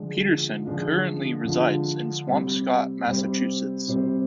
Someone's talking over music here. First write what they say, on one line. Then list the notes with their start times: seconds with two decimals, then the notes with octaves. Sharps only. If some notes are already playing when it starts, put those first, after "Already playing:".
Pederson currently resides in Swampscott, Massachusetts.
Already playing: D3 F3 G#3 D4 F4
0.65 D3 F3 G#3 D4 F4
1.45 D3 F3 G#3 D4 F4
2.27 C3 G3 C4 G4 C5
3.07 C3 G3 C4 G4 C5
3.88 C3 G3 C4 G4 C5